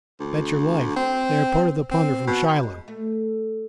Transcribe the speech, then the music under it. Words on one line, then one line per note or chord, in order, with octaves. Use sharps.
Bet your life, they are a part of the plunder from Shiloh.
D2
C4
C4
B2
G#3
A3